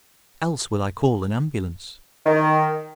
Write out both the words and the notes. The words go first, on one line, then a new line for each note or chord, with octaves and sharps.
"Else will I call an ambulance."
D#3